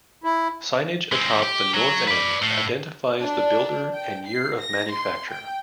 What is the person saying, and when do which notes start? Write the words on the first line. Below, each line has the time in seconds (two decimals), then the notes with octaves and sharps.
Signage atop the north end identifies the builder and year of manufacture.
0.24 E4
1.12 G#3 C4
1.42 G4
1.74 F#3
2.07 B4 D5
2.42 A2
3.21 D4
3.94 G5
4.29 C7
4.60 A#6
4.92 C6
5.30 G5